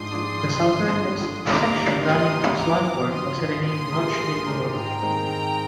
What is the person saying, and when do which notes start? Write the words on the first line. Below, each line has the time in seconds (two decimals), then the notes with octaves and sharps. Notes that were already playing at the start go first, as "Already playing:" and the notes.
The southernmost section running through Swanbourne was renamed Rochdale Road.
Already playing: G#2 F3 G#3 D4 C6 D#6
0.11 F3 G#3 D4
0.38 G2
0.66 D3 F3
0.92 G2
1.20 D3 F3
1.47 G3 A#5 D6
1.74 A#3 D#4 G4
2.01 G3 C6 D#6
2.29 A#3 D#4 G4
2.56 G2 A#5 D6
2.83 F3 C4 F4
3.10 G2 C6 D#6
3.38 F3 C4 F4
3.64 A#2 C6 D#6
3.92 G#3 D4 G4 A#4
4.19 A#2
4.46 G#3 D4 G4 A#4
4.74 G#2 G5 A#5
5.01 D#3 G#3 C4 D#4
5.28 G#2